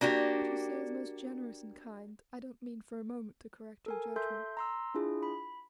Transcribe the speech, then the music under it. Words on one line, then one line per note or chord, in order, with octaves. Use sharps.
What you say is most generous and kind; I don't mean for a moment to correct your judgment.
A#3 D4 F#4 G4
A4 A#4 G#5
A4 E5 C6 G6
A#5 C6 E6
D4 E4 F4 G#4
B5